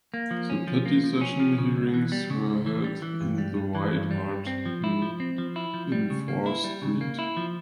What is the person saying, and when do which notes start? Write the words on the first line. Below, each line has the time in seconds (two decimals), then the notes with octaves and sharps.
The petty session hearings were held in the White Hart Inn in Fore Street.
0.14 A#3
0.31 F3
0.50 C#4
0.67 F3
0.86 A#3
1.04 F3
1.21 C#4
1.40 F3
1.58 C#3
1.76 C#2
1.94 E3
2.12 G3
2.30 C#3
2.48 C#2
2.66 E3
2.84 G3
3.02 E3
3.21 G2
3.38 G3
3.57 G2
3.75 E3
3.93 G2
4.11 G3
4.29 G2
4.47 C4
4.66 F3
4.84 E4
5.02 F3
5.20 C4
5.38 F3
5.56 E4
5.74 F3
5.92 G3
6.10 C#3
6.28 A#3
6.46 E4
6.64 G3
6.82 C#3
7.01 A#3
7.19 E4
7.37 F3